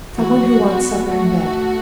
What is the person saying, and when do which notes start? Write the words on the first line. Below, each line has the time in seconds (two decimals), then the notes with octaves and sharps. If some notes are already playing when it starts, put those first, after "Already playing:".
"Some one who wants supper and bed."
0.18 E3 F#4
0.40 F#3
0.62 C4
0.77 B3
0.92 A3
1.01 B3
1.07 A3 F#4